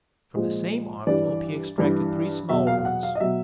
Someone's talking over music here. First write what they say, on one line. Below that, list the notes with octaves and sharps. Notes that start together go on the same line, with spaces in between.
From the same envelope he extracted three smaller ones.
A#2 F3 G#3
G2 E3 G3 D5
G2 E3 G3
E2 B2 F#3 E5
F5
F5
F#5
F5
D#5
B2 F#3 E5